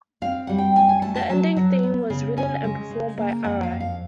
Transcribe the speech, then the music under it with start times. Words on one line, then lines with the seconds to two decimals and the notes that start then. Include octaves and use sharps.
The ending theme was written and performed by Arai.
0.22 C4 F5
0.47 G3 F#5
0.58 G5
0.76 C#4 G#5
0.89 G#5
1.02 A3 A5
1.15 A5
1.29 F#3 A5
1.56 F#3
1.83 B3
2.10 C#3
2.37 C#4 G#5
2.64 G#3
2.91 C#3
3.17 A#3
3.44 F2 F#5
3.63 F5
3.72 F2
3.80 F5